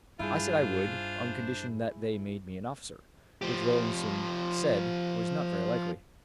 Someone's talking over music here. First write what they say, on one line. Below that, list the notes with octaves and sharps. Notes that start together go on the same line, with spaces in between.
I said I would, on condition that they made me an officer, which Rollinson said was not very likely.
G2 D4 E4 F4 G#4 C5
F3 G4